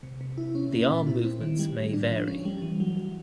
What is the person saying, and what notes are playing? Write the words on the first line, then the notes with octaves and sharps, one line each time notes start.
The arm movements may vary.
C3
C3
E4
C#4
A#3
A#2
E4
C4
D#3
G3
A2
D4
F3
C#4
G3
E3
F#3
F#3